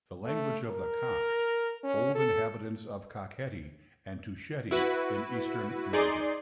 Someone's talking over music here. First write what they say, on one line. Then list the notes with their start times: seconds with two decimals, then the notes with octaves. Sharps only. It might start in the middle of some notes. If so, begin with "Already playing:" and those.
The language of the Kakh, old inhabitants of Kakheti and Tusheti in Eastern Georgia.
0.25 A3
0.71 A#4
1.84 C#4
2.15 A4
4.71 E4 F#4 B4
5.93 D#4 G#4 D5 C6